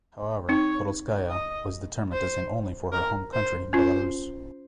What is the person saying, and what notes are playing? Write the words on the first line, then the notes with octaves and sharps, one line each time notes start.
However, Podolskaya was determined to sing only for her home country Belarus.
C4 D#4 C#5
D#5
C5
A#4
C5
C#4 F4 C5